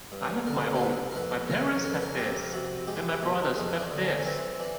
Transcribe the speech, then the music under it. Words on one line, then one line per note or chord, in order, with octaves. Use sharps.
I have my own, my parents have theirs, and my brothers have theirs.
G2
D3 A#4
C5
C3 B4
A#4
F2 B4
C#3 A#4
F2 A#4
B4
A#4
F2 G4
C3 F#4
G#3 G4
B2
F2 G#4
C#4
D4
D3
C#4
C#4
E3 C4
E3 D4